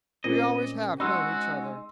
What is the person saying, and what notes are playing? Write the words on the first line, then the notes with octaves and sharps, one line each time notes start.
"We always have known each other."
A#2 C4 C#4 D#5
G#3 D#4 F#4 C6 E6